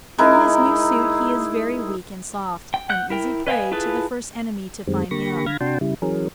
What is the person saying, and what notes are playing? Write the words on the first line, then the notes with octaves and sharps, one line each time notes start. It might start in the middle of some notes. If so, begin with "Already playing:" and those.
In his new suit he is very weak and soft--an easy prey to the first enemy to find him.
G#3 D#4 E4 A#4
G5
F#5 F#6 G6
E4 A#4 G5
B4 D#5 F5 G5 G#5
E4 F4 G#4 A4 B4
F#2 D#3 G3 G#3 C4
D3 A#3 G4 B5 C#6 A#6
D3 F5 B5 F6 G#6 A#6
C3 D4 F#4 G5 A5 C6
C#3 G3 E4
E3 F#3 C#4 G#4 A#4